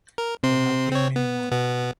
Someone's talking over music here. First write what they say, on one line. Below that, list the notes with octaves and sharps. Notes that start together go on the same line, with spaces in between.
There have been many more.
A#4
C3 C4 C6
C4 C#5
B3
B2 B3